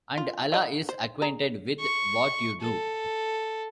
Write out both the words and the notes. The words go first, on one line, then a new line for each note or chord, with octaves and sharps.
And Allah is Acquainted with what you do.
F4
E3 D#5 B5
C5
G#4 A#5
C#6
A4